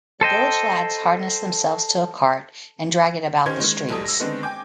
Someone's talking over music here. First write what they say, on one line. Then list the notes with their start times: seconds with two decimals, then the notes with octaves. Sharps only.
The village lads harness themselves to a cart and drag it about the streets.
0.21 A4 C5 D#5 G5
3.46 D#3 C#4 G4 C5 C6 G#6
3.60 D#3 G#3
3.89 F1 B1 G#2 F#3 A4 D#6
4.05 E6 A#6
4.20 D3 D#3 G#3 B3 C4 D4
4.43 G5 G#5 D6 G6